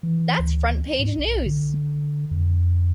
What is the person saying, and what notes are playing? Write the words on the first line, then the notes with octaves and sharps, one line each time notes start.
That's front-page news!
E3
D2
G#2
B1
D3
F2